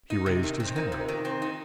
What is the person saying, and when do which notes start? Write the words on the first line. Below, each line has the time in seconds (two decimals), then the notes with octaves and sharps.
He raised his hand.
0.10 D#4
0.26 C3
0.43 D#3
0.60 C4
0.76 D#4 A#4
0.88 C3 C5
1.00 A#4
1.08 D#3
1.25 C4
1.42 D#4